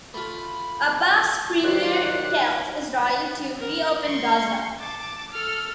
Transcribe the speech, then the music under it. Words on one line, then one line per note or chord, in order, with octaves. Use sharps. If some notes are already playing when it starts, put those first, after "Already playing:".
Abbas's Premier Tells Israel to Reopen Gaza.
A3 F4 B5
D#3 F#3 G4 C5 D5 F#6
A#4
C6 C#6
A5 D6
A4 F6